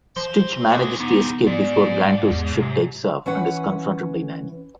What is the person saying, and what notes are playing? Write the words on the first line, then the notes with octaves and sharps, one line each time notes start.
Stitch manages to escape before Gantu's ship takes off and is confronted by Nani.
A#2 F3 C5 C6
C3 F#4 G#4
E2 C3 B3 D#4
G#2 D5
E2
C3 F#3
E3 C#4 B4 F#5